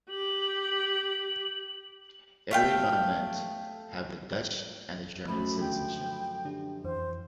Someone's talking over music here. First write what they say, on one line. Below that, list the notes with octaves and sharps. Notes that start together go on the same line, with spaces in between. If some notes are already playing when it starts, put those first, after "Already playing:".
Arie van Lent have the Dutch and the German citizenship.
G4 F#7
A3 F5 G5
F#2 F3 A3 B5
D3 G5
D3 D4 G4
F2 E3 C5